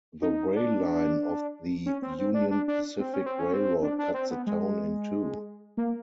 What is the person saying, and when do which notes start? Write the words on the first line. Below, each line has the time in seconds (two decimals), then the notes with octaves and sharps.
The rail line of the Union Pacific Railroad cuts the town in two.
0.22 D#4
0.55 D4
1.86 C#4
2.02 C4
2.19 C4
2.34 D4
2.51 D4
2.68 D4
3.00 C4
3.13 C#4
3.26 C4
3.39 C#4
3.53 C4
3.82 D4
3.98 D4
4.14 C4
4.30 B3
4.47 G#3
5.77 A#3